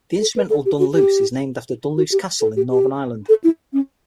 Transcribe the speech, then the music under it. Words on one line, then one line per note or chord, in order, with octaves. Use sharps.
The instrumental "Dunluce" is named after Dunluce Castle in Northern Ireland.
A4
B4
A4
G4
F#4
G4
F#4
G4
A4
G4
G4
A4
E4
C#4